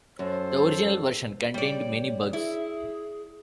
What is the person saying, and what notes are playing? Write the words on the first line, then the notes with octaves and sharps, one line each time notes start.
The original version contained many bugs.
F#2 A4 C5
G3 C#5 D5
E4 G#4